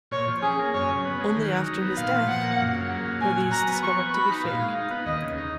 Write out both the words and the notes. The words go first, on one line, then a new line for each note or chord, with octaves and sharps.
Only after his death were these discovered to be fake.
A#2 C#5
F3
C#4 G#4
A#3
F#2 C#5
C#3
B3
G#3
D#3
F#3
D#4
B3
A#2 F5
F3
A#2 F#5
A#3
F#2
C#3
A#3
F#3
A#2 G#5
F#3
F#4 A#5
B3
F3 C#6
B3
F#4 B5
D#4
A#2 F5
G#3
D#4
B3
D#2 D#5
C#3
D#4